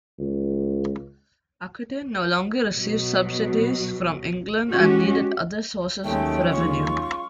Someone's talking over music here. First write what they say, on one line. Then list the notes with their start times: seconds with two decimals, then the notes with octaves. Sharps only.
Aquitaine no longer received subsidies from England and needed other sources of revenue.
0.19 C#2
2.73 B2 F#3
4.69 G#3 C#4 F#4 G4
6.04 D#2 F#3 G#3 A3 C#4 G5
6.51 D#2 F4 C#6